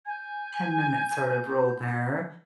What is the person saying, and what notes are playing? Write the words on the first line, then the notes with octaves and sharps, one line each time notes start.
ten-minute, sort of, rule there,
G#5 G6 G#6